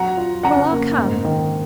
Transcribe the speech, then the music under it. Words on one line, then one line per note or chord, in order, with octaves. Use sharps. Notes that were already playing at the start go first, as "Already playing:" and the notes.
Well, I'll come.
Already playing: F#3 F#5 A#5
F4
C#3 F#5 A#5
A#3
G#2
D#3